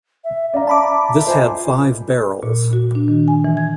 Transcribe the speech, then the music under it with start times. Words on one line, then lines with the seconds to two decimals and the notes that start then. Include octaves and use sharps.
This had five barrels.
0.24 E5
0.54 C#4 D5 F5 A#5
0.67 E5 A5 B5 D6
1.27 F4 C5 D#5 G#5
2.43 A#2
2.73 F#4
2.95 D4
3.08 D#3
3.28 G#5
3.44 E3
3.57 G#6